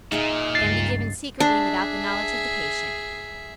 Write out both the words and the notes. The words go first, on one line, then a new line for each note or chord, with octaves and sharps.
Can be given Secretly without the knowledge of the patient.
A#2 D#4 G#4 E5
C#2 G2 A6 C7
D4 G#4 E5